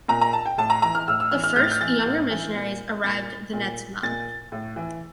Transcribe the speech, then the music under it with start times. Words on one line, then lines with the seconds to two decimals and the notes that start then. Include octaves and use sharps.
The first younger missionaries arrived the next month.
0.08 A#2 A#5
0.21 A#5
0.33 A5
0.46 G5
0.58 A2 A5
0.70 A#5
0.82 E3 A#5
0.95 F6
1.08 A2 E6
1.20 E6
1.31 E3 F6
1.44 F6
1.56 A2 G6
1.64 A6
1.71 G6
1.81 E3 A6
2.06 A2
2.30 E3
2.55 A#2
3.04 A#2 A6
3.53 A#2
4.03 A#2 A6
4.52 A2
4.76 E3